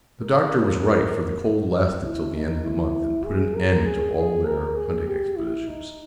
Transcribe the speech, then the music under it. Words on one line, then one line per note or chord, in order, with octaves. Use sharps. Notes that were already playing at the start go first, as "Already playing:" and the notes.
The Doctor was right, for the cold lasted till the end of the month, and put an end to all their hunting expeditions.
A#4
E4
D#4
E4
G#4
A#4
G#4
G#4
A#4
G#4
G4
E4
D#4